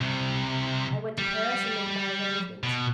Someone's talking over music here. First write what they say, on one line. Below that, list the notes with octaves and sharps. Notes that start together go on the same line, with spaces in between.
I went to Paris and made my arrangements.
C2 C3
G3
B2